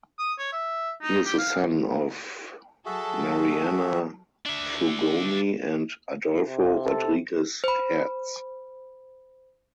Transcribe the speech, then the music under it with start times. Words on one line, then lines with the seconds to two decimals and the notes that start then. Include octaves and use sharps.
He is the son of Mariana Frugoni and Adolfo Rodriguez Hertz.
0.19 D#6
0.38 C#5
0.52 E5
1.02 D#4
1.25 G4
1.38 F5
2.86 F#3 F#4 G#4 A4 E5
4.46 D4 E5
6.45 C3
6.86 A4
7.64 C5 B5